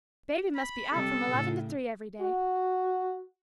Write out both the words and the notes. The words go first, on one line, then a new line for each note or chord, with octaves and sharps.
Baby must be out from eleven to three every day.
B5
C3 G3 A4
A2 C#3
F#4